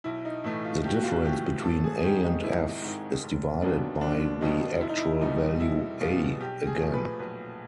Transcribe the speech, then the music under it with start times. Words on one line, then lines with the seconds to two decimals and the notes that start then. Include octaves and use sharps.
The difference between "A" and "F" is divided by the Actual value "A" again.
0.04 B1 E4
0.25 D#4
0.44 A2 E3 A3 E4
0.64 F4
0.84 B1 G4
0.94 F#4
1.02 F4
1.12 F#4
1.24 A2 E3 A3 G4
1.63 G#1 A4
1.84 G#4
1.98 G#4
2.03 G#2 D#3 G#3 G4
2.23 D#4
2.43 G#1 E4
2.82 G#2 D#3 G#3
3.23 F1
3.62 D#2 D#3 F#3 B3 D4
4.01 F1 D4
4.41 D#2 D#3 F#3 B3 D#4
4.81 F1 E4
4.89 D#4
4.97 E4
5.21 E2 B2 G3 B3 D#4
5.60 F1 E4
6.00 E2 B2 G3 B3 F4
6.40 B1 G4
6.67 G#4
6.79 A#2 F3 A3
6.94 B4
7.19 B1 B4